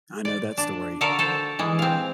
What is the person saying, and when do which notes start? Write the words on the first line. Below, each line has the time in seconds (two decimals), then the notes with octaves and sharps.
I know that story.
0.25 D5
0.58 D4
1.01 D3 F#4 A4 A#4 F5 A#5
1.19 A4 C5
1.59 E3 G#3
1.79 C4 F5